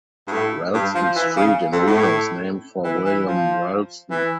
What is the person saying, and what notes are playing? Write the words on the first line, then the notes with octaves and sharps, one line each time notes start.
Ralston Street in Reno is named for William Ralston.
G2
A2
G2
F3
E3
C#3
F2
A2
E3
E3
F3
E3